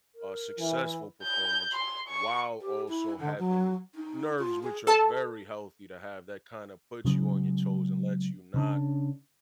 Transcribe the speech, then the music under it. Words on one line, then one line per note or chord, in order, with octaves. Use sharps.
a successful performance while also having nerves, which are very healthy to have, that kind of puts you on your toes and lets you not
A#4
E3
G6
C6
C#6
G4
E4
D3
F#3
D#4
F4
G#4
A4 A5
C#3 F#3 G#3 B3
C#3 C4 D4